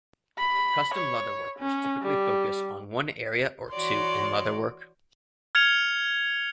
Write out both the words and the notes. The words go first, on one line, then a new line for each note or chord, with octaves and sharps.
Custom leather workers typically focus on one area or two in leather work.
B5
C#5
C#4
G3
E3 F#4 C#5 D5 C6
F6 G#6 C#7 F7